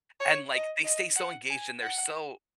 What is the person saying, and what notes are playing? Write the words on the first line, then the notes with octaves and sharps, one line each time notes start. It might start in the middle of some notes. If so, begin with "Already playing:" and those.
and, like, they stay so, engaged and they're so,
C#5
D#5
D#5
F#5
G#5
F#5